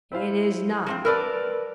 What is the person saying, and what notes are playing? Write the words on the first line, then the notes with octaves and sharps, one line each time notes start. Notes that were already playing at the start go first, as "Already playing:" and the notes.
'It is not.
E4 C5 F5
F3 A#3 C4
A#4 B4 D5 A5 E6